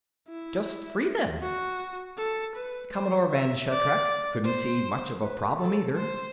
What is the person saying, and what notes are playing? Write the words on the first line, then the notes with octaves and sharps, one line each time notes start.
Just free them. Commodore Vann Shatrak couldn't see much of a problem, either.
E4
F#4
A4
B4
C5
E5
D5
C5
B4
A4
C5